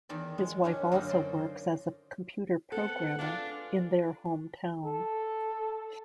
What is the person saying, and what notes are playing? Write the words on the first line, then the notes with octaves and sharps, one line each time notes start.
His wife also works as a computer programmer in their home town.
E2 D#3 D5
G#3
D#3 C#4 D4
F#2 D3 A#3 C#4 D#4
C5 D5
B3 C4 A4 F#5
D4 F4 G#4 F5
A4